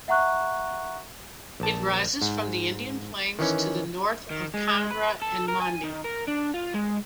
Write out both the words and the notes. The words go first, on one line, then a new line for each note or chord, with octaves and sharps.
It rises from the Indian plains to the north of Kangra and Mandi.
E5 F#5 A#5 C#6 F#6
A#1 A5
G#2
D#3 E3 C#4
D#3
G#3
B4
A4
A#4
G#5
D#3
A#4
D4
F4
G#3